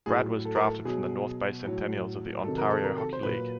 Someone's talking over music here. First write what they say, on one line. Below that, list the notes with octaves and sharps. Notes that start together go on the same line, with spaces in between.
Brad was drafted from the North Bay Centennials of the Ontario Hockey League.
A2 F#3 G#4
A4
A#4
A4
B2 F#3 G#4
A2 F#3
C3 D#3 F#3 A4
A#4
A4
A#4
A4
C5
A#2 F#3 B4